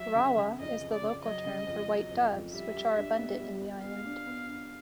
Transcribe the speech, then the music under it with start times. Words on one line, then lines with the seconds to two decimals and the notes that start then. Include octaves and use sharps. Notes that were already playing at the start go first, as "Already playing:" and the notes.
"Rawa" is the local term for white doves, which are abundant in the island.
Already playing: F#3 E5
0.15 C#3
0.37 C#3
0.59 F2 D#5
0.80 C#3
0.91 D5
1.02 C#3
1.24 F#3 D#5
1.45 C#3
1.67 F2
1.88 F#3
2.10 F2
2.31 F2
2.53 G3 E5
2.75 G3
2.97 D4
3.18 B3
3.40 G3
3.61 B3
3.83 B3 F5
4.05 D4
4.26 B3
4.48 D4